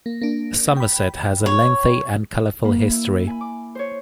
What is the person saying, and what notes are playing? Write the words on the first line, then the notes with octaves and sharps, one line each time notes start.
Somerset has a lengthy and colorful history.
A#3
A#3 D4
G5 B5
C#5
A#3 B5
E4
G#5 B5
D6
C5 C#5